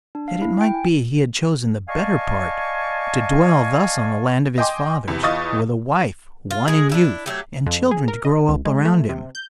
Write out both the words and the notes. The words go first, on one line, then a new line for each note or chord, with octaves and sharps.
Yet it might be he had chosen the better part, to dwell thus on the land of his fathers, with a wife won in youth, and children to grow up around him.
D4
F5
E4
G5
G#5
D5 D#5 F5 G#5 A5 C#6
D#5 G5 G#5 C6 D6
E2 C3
E2 F4 D#5 C#6 D#6 A6
F4
G#3 G#4
D4 E4 G4
F#3 A3 G4
F2
G#4
A#4
D#5
C#2
G#3
A3
C3
G6